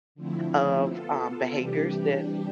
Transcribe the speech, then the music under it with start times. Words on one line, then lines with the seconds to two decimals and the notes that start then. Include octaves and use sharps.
of, um, behaviors that
0.15 D3 F3 A3 C4 E4
0.85 B3 F4 A4
1.55 C3 E3 G3 D4 G4